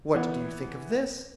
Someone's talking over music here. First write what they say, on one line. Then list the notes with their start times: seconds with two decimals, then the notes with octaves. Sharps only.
"What do you think of this?"
0.14 E3 B3